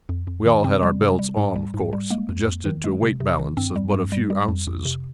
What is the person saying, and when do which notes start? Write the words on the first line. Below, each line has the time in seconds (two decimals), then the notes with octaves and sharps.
We all had our belts on, of course, adjusted to a weight balance of but a few ounces.
0.09 F2
0.27 F2
0.45 D#3
0.64 C3 C4
0.83 G3
1.01 C3
1.19 G3
1.37 G#2
1.56 G3
1.74 G#2
1.93 G3
2.10 G#3 A#3
2.29 F2
2.47 F2
2.65 D#3
2.84 G#3
3.02 C3
3.20 C3
3.39 D#3
3.57 G2 C4
3.76 G3
3.94 G2
4.12 G3
4.30 G3
4.48 F2
4.67 F2
4.85 C3